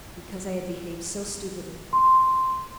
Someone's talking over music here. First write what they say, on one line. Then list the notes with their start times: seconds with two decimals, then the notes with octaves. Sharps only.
"Because I had behaved so stupidly."
1.93 C6